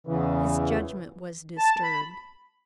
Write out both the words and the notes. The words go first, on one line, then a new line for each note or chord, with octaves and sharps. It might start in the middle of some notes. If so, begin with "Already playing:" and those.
His judgment was disturbed.
E2 C#3 E3
A5
B5